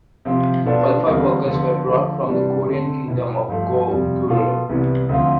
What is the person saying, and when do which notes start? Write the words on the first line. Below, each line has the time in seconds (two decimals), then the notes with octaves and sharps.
Qualified workers were brought from the Korean kingdom of Goguryeo.
0.25 C3 F3 C4
0.65 B2 B3 D4 F4 A4
1.06 E2 D3 G3 C4 F4
1.46 D3 F3 B3 F4
1.87 D3 F3 A3
2.27 C3 E3 G3 D4
2.67 D3 A3 C4
3.08 B2 B3 E4
3.48 G2 F3 A3
3.88 F2 C3 G3
4.28 B2 B3 F4 A4
4.69 C2 C3 E3 G3 B3
5.09 D2 D3 F3 C4 F4